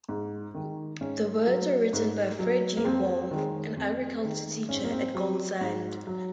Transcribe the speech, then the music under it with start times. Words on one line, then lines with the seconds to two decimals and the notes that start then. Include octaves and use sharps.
The words were written by Fred U. Wolfe, an agriculture teacher at Gold Sand.
0.09 G#2
0.54 D#3 G#3
1.01 G#2 C#4
1.47 F#3
1.93 G#2
2.39 F#3
2.77 A#3
2.85 F2 C4
3.31 D#3 G#3
3.77 F2
4.23 D#3 G#3
4.69 G#2 C#4
4.76 C4
4.84 A#3
4.92 C4
5.15 F#3
5.61 G#2
6.07 F#3